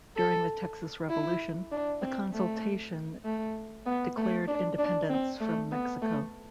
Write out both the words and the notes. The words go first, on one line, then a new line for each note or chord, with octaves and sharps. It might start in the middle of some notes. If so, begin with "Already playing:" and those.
During the Texas Revolution, the Consultation declared independence from Mexico.
A4
E4
D4
C4
A3
A3
B3
A3
D4
D4
C4
A3
B3
A3